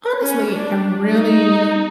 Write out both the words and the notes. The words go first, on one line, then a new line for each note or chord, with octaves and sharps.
honestly, I really
C#4
D4
D#4